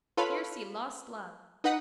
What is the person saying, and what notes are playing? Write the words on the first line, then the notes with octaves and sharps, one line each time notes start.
Here see lost love.
F4 A4 B4 C#5 F5 B5
D#4 B4 F#5 B5 D#6